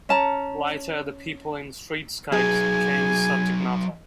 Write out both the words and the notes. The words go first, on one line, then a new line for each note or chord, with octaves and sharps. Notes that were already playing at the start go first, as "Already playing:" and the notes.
Later the people in streetscapes became his subject matter.
C#4 A5 A#5
F#3 D#4 G#4 G#5